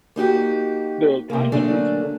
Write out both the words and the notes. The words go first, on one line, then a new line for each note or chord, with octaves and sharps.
The time difference?
A#3 D#4 F#4 G4
C3 A#3
D3 F#3 A3 A#3 D4 G#4